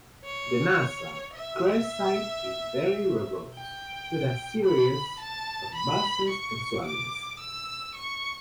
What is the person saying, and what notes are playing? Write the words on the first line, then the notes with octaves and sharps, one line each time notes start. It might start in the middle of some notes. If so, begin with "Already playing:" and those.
The nasal crest side is very rugose with a series of bosses and swellings.
C#5
E5
G5
B5
A5
B5
C#6
D6
E6
C#6